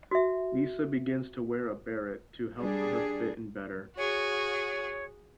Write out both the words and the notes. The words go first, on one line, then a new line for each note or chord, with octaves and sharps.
Lisa begins to wear a beret to help her fit in better.
F#4 E5
G3 D4 G#4
F#4 G#4 C#5